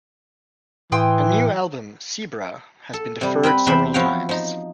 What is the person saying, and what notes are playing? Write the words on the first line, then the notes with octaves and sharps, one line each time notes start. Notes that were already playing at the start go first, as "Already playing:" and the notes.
A new album, "Zebra", has been deferred several times.
A2 E3 G5 C6 D#6
A4
C3 G3
C4 B4 G5 B5
E2 C3 G4 C5 E5 B5
F3 E4 F#4 C#5 F5 G5
F3 D#4